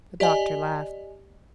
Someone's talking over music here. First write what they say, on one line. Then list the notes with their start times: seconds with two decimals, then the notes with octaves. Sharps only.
The doctor laughed.
0.20 G4 D5 D#5 G#5